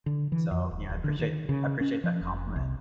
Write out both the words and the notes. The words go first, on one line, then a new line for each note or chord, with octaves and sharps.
so, you know, I appreciate I appreciate that compliment.
D3
E3
F2
D#1
D1
D3
D#3
C#3
C#4
F3
F1
C2